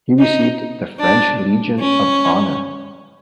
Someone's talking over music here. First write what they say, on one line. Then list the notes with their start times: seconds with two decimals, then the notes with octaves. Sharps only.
He received the French Legion of Honour.
0.19 D#4
1.00 D4
1.80 C#4